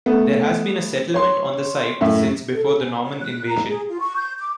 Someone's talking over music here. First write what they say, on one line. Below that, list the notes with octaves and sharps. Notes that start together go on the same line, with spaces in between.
There has been a settlement on the site since before the Norman invasion.
A3 B3
C#5 C6
F#2 A2 E5
A4
A4
G#5
C#5
F#6
A#5
G#4
F4
C#6
G6
D6